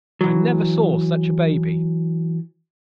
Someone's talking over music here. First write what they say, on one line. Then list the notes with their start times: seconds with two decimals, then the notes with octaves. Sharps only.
'I never saw such a baby.'
0.21 E3 F#3